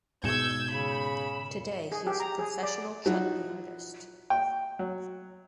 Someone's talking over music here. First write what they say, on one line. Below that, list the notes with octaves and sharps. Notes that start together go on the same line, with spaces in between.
Today he is a professional chutney artist.
G#2 B2 G#3 E6 G6 G#6 C#7 E7
C#3 B5
G#4
G4
A#5
G#4
D5
F3 F#3 D#4 E4 F#4
G5
F#3